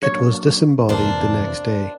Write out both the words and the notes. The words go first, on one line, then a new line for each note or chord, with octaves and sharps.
It was disembodied the next day.
F#3 A#3 D4 C#5
F2 C3 E3 A#3 D4 C5 A5